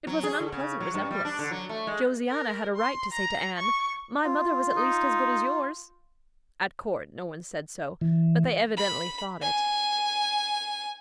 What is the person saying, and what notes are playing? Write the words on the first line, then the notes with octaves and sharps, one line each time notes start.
It was an unpleasant resemblance. Josiana had a right to say to Anne, "My mother was at least as good as yours." At court no one said so, but they evidently thought it.
F#3
G#4
D3
C#3
F#3
G2
G3
D4
D3
F#3
A3
G#3
A#4
C6
A#5
C#6
F4
D#4
E3
B5
G#5